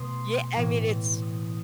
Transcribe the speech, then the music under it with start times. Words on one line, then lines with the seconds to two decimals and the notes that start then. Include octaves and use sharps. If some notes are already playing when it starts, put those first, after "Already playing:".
Yeah, I mean, it's
Already playing: B2 A3 C6 D#6
0.55 A2 E3 B3
1.22 D#6
1.39 D#6